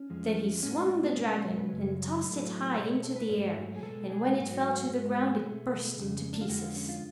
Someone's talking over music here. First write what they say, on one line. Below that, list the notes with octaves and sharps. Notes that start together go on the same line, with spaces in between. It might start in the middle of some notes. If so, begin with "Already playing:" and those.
Then he swung the dragon, and tossed it high into the air, and when it fell to the ground it burst into pieces.
Already playing: C#4
F2 F3 G#3
A2 G#3 C#4
F#4
F4
C#4
D4
B3
B2 G#3 C#4
B4
F#2 C#3 F#3 C#5
A2 F#3 A3
B2 A3 C#5
C#5
A4
B4
G#2 F#3 A3 C#5
G#4
B2 G#3 A4
G#4
G#2 F#3 A3 F#4
G#2 G#3
F#4
B2 A3 G#4
F2 C#3 G#3
D4
F4
F2 D3 F3 G#3 F#4
F4
C#4
F4